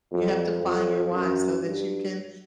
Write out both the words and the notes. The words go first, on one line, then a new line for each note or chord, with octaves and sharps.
You have to find your "why" so that you can
F2
F2
F#2
G2